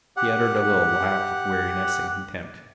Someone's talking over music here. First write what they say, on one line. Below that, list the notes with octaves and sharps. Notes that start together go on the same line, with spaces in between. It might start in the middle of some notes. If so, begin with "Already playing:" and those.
He uttered a little laugh of weariness and contempt.
G4 F#5